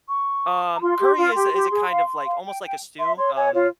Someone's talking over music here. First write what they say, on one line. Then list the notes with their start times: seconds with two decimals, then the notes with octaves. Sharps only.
Um, curry is a is a kind of, like, almost, like, a stew, um
0.09 C#6
0.76 A#5
0.81 F4 C6
0.99 G4
1.18 F4
1.36 G4
1.54 G4
1.72 G#4
1.90 F5
2.27 F5
2.46 G5
2.64 G5
2.99 E5 C6
3.18 C#5 C6
3.37 C#5 G#5
3.54 F4 C#5